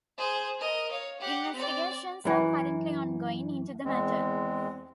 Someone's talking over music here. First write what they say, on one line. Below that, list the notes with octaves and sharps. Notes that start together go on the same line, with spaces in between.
Investigations are currently ongoing into the matter.
G#4 C5
A#4 D#5
C#5 F5
G4 F#5
C4 D5
F#2 E3
E2 G#3 C4